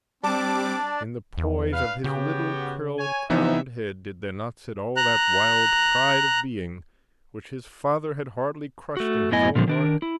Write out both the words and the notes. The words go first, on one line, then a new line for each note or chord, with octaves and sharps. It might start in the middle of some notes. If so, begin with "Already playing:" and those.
In the poise of his little curl-crowned head did there not sit all that wild pride of being which his father had hardly crushed in his own heart?
G3 C4 D4 D5 A5 D6
E2
D4 B4 F5
C#3 B3 F#4 G4
C#5 G#5
G2 E3 F3 B3 D#4 E5
A#5 F#6
A3 F#4
F#2 A2 B3 E4 D#5 G#5
A#2 D3 F3 G3
D#3 D4 A#4
E4